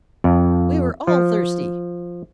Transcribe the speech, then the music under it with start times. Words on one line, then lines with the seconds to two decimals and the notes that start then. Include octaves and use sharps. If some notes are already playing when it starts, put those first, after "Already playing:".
"We were all thirsty."
0.24 F2
1.07 F3